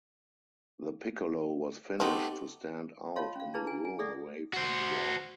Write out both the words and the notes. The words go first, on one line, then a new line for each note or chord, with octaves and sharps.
The piccolo was finished to stand out in the room away from the wall.
A3 B3 C4 D#4 G4
F4 C#5 D#5 F5 A5 C6
C#4 F5
D4 E4 G#4 B4 A5 A#5
G#5
G#5
G#4 A4 D5 E5 F#5
F#4 C5